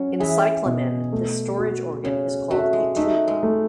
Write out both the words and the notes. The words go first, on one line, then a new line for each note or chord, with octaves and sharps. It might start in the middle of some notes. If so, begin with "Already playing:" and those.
In cyclamen this storage organ is called a tuber.
Already playing: F#3 C#4
E3 G#4
B2
A3
F#4
C#3 C#4
A3 F#4
G#3
A3 D#4
G#3
A3